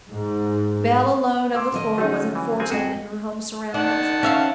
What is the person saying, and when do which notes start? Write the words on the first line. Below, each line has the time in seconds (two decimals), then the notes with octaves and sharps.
Belle alone, of the Four, was unfortunate in her home surroundings.
0.11 G#2
1.55 C6 D6 E6
1.72 D3 F3 D#5
1.98 F#3 A3 C#4 D#4
2.35 E3
2.60 G#3 C4 G#5
2.71 F2 G#3 F#4 G#4 D#5
3.74 D#3 D4 F#5 A5
4.23 C#4 E5 F5